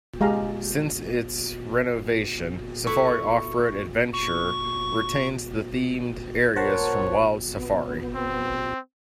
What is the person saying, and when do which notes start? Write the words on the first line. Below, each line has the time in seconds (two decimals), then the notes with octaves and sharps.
Since its renovation, Safari Off Road Adventure retains the themed areas from Wild Safari.
0.21 G#3 G4 G#4 F5 A#5
2.87 A3 E4 B4 C#6
4.13 C#6
6.56 A#4 C5 C#5 F#5 A5
7.54 B3
8.15 C4